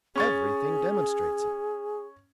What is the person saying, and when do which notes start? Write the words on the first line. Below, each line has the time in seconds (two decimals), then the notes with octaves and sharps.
Everything demonstrates it.
0.16 C#4 G#4 C#6 A6